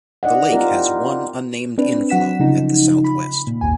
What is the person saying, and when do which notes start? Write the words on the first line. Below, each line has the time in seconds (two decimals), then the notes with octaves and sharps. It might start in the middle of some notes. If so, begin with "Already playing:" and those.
The lake has one unnamed inflow at the southwest.
0.23 D#4 D5 D#5 F#5
0.52 C4 E4 F4 G4 A#4 D5
1.78 C4 D4 B4
2.09 F#3 F#5 B6 E7
2.40 C#3 F3 D#4
3.04 B5
3.47 A#2
3.61 G#1 D#2 G#5